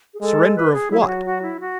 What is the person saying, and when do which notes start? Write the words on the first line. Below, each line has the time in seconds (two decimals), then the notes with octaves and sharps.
Surrender of what?
0.14 G#4
0.21 G#3 A4
0.56 B4
0.73 G#4
0.91 F#3 E4
1.00 G#4
1.07 F#4
1.26 F#4
1.42 E4
1.60 F#4